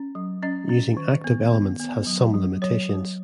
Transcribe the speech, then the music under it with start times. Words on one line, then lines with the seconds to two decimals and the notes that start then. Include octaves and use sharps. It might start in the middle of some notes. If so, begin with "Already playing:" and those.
Using active elements has some limitations.
Already playing: C#4
0.15 F#3
0.42 C#4 D#5
0.69 C#4
0.97 D#3
1.24 B3
1.53 B3
1.80 B3
2.07 F#3
2.34 F#3
2.62 F#3 C#5
2.90 F#3